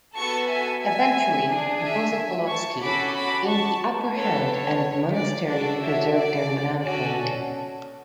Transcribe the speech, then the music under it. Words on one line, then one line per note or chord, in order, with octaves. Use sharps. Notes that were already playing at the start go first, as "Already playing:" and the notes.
Eventually, Joseph Volotsky gained the upper hand and the monasteries preserved their landholdings.
B3 F#4 A4 A5 C#6
E5 G#5
E5 G#5
D4 G#4
E5 G#5
A5 C#6
C#4 F#4 A4 B5 D6
B5 D6
A5 C#6
B3 D4 A4 C#5
C#5
D5
D4 F#4 A4 D5
C#5 E5
D5
C#4 F#4 A4 D5